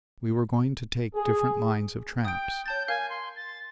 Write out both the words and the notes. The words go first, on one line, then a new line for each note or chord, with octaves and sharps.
We were going to take different lines of traps.
G#4
G5 D#6 D7
C#5 A5 G6 A6
A#4 F5 G#5
C6
A6